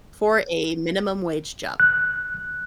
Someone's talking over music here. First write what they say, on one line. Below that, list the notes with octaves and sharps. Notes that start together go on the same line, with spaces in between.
For a minimum wage job.
F#6